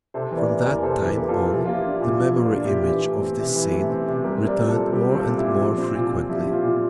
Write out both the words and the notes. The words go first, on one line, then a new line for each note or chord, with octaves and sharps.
From that time on, the memory image of this scene returned more and more frequently.
C3 A4 C5
E3
A#4 D5
A#3
A#4 D5
E2
C3 A4 C5
E3
G4 A#4
A#3
F4 A4
E2
F3 E4 G4
A#3 F4
E4 G4
D4
F4
A#2
F3 E4
A#3 E4
F4
D4
E4 G4
A#2
E3
A3
C4
C3
E3
A3
C4
C3
G3 G4 A#4
C4
A#4 D5
A#2
A4 C5
A#2
G3 G4 A#4
C4
F4 A4
A#2
E4 G4
A#2
F3
C4
A#2
A#2
F3 E4 G4
C4
F4
A#2